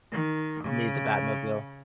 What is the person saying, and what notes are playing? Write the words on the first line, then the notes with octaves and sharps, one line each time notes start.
Need the Batmobile.
D#3
C#3